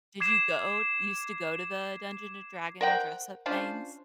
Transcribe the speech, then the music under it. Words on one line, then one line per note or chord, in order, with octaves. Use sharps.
Did you go used to go to the Dungeon& Dragon dress-up things?
D6 G#6 C7 E7
A#4 C5 F#5 G5
C#4 D4 F4 C5